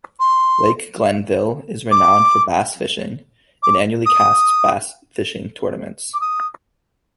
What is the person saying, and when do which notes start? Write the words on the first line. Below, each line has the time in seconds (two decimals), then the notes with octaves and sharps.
Lake Glenville is renowned for Bass fishing, it annually casts bass fishing tournaments.
0.19 C6
1.91 D6
3.63 D6
4.06 D#6
6.14 D6
6.21 D#6